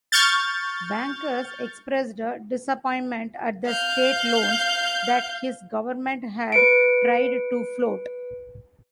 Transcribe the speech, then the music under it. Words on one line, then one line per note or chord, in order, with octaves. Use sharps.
Bankers expressed disappointment at the state loans that his government had tried to float.
C#6 F6 G6 A6
F5 G6
B4 C#7 D7